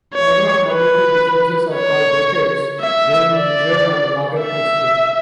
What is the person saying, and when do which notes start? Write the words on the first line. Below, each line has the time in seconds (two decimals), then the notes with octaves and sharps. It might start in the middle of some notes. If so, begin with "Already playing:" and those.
Order-of-magnitude differences are called decades when measured on a logarithmic scale.
0.14 C#5
0.68 B4
1.74 C#5
2.81 E5
3.35 D5
4.41 E5